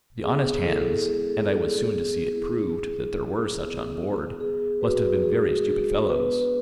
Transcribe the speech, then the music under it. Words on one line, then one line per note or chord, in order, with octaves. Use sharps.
The honest hands--and I was soon to see it proved that there were such on board--must have been very stupid fellows.
B3 G#4
E4 A4
A4
G#3 G#4
A4
G#3 A4
G#4
B3 G#4
E4
E4
E4
B3
B3
B3 G#4
F#4 B4
G#3 G#4
D4
B3 B4